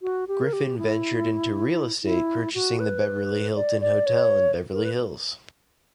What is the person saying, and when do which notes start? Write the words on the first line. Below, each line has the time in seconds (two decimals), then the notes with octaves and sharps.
Griffin ventured into real estate, purchasing the Beverly Hilton Hotel in Beverly Hills.
0.02 F#4
0.28 G4
0.43 A#4
0.53 G4
0.78 E4
2.04 E4
2.54 F#4
2.79 B4
3.56 D5
3.81 D5
4.06 C#5
4.72 A#4
4.85 B4